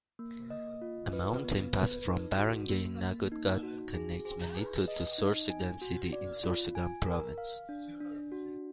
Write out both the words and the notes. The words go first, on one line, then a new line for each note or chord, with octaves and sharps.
A mountain pass from barangay Nagotgot connects Manito to Sorsogon City in Sorsogon province.
A#3
D#5
F4
B4
B3
B4
D#4
F#4
A#3
A#3
D#4
F#4
G#4
G#4
B4
D#5
D#4
G#5
F#4
D5
F4
G#5
A#4
F5
D4
D4
F#4